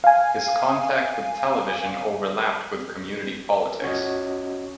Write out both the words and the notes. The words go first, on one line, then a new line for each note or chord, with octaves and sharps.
His contact with television overlapped with community politics.
F5 G#5
C#4 F#4 C#5 D#5